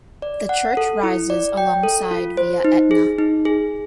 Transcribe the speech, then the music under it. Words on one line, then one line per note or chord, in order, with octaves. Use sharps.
The church rises alongside via Etna.
D5
F#5
A4
E4
D5
G5
A4
F4
C5
D#4
G#4
D#4
G#4